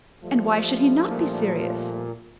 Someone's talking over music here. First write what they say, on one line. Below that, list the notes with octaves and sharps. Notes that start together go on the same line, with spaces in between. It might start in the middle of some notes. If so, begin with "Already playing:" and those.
"And why should he not be serious?"
F3 G3 A3
A#2